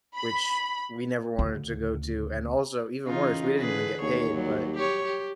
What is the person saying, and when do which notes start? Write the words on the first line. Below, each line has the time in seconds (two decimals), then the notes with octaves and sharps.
which we never wanted to go to, and also even worse, we didn't even get paid, but
0.15 B5
1.39 D2 C#3
3.06 C#3 E3 D#4 F4
3.58 D3 G#4 B4
4.02 D#2 C#5
4.33 F#3 G3
4.75 G4 C#5
5.05 G4